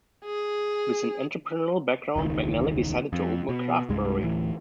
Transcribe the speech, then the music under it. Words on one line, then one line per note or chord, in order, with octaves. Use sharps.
With an entrepreneurial background, McNally decided to open a craft brewery.
G#4
E1 C#2 D#3
F2
B2
C2 G2 G#3
D1 A2 E3